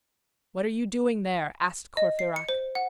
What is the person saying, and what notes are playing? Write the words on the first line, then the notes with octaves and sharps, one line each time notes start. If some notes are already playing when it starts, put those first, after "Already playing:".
"What are you doing there?" asked Courfeyrac.
D#5
C7
C#7
C5
F#5